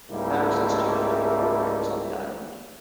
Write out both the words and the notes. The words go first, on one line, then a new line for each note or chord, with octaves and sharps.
Thousands tuned into the programs on the island.
C#2 G#2 G3 A3 A#3 E4